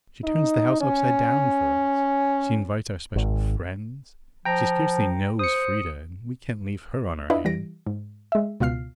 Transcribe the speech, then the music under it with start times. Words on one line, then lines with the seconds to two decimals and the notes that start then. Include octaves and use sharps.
She turns the house upside down for us; she invites our special friends--she scarcely knows Frieda, and we can't leave her on her hands.
0.24 D#4
0.81 C#4
3.16 G#1
4.45 F3 G5 A#5
5.39 C5 D#6 C#7
7.30 D4 E4 F4 B4 D#5
7.45 E3 G3 A#6 D7
7.86 G#2
8.32 G#3 E5
8.60 C#2 B2 F4 F6 C7